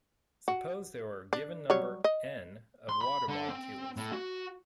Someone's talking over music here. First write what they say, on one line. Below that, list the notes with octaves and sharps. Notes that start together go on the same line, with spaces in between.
Suppose there are a given number "N" of water molecules.
F#4
D4
F#3 G3 C#5
D#5
C6
B5
D3
C4
A2
F#4